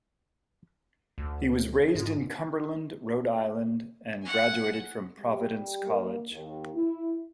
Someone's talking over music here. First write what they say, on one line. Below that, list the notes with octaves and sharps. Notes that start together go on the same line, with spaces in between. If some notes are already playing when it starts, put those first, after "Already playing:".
He was raised in Cumberland, Rhode Island and graduated from Providence College.
D2
G#2
F#5 G#5
G3
A#3
D#2
E4